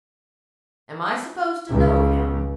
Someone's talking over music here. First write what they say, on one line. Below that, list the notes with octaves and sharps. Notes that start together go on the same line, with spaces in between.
"Am I supposed to know him?"
C#2